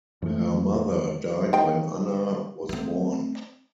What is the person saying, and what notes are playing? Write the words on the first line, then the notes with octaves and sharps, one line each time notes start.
Her mother died when Anna was born.
F2 E3 G#3 A3
D#3 A#3 G5
A3 C4